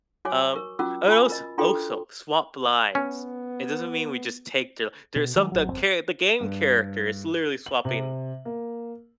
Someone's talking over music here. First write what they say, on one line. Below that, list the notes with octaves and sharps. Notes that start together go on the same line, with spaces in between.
Um, I als also swap lives. It doesn't mean we just take the there's some the char the game character is literally swapping
F#4 C#5 G#5 D6
A#4 C#6
C#4 F4 F#4 D6 E6
F4 G#5 B5
A#4 D#5
D4 F4 F#4 A4 G5 C6
B3 C#4
B2
D#3 F#3 G#3
A1 F#3
G1 F2 C4
G2
F#7
C3
A#3